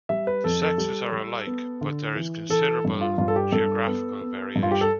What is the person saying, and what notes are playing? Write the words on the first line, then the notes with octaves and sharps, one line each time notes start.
The sexes are alike, but there is considerable geographical variation.
G3 E5
B4
F2 A4
A4
G3
G3
B3
D3
E3
E3 A4
G2
F4
G2 F4
A4
G4
G2 A4
B3
B3
G2
F4
G4
A4